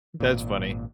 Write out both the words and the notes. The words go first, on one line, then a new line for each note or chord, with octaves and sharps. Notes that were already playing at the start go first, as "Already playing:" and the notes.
That's funny.
G#1 A#2